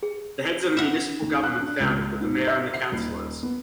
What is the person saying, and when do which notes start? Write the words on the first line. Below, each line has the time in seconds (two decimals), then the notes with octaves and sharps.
The heads of the municipal government founded were the mayor and the counselors.
0.03 G#4
0.77 E5 F#5
1.22 D#2
1.44 F#6
1.61 D4
1.80 C#2
2.21 G#2
2.47 E5
2.74 C7
2.92 D#1
3.43 B3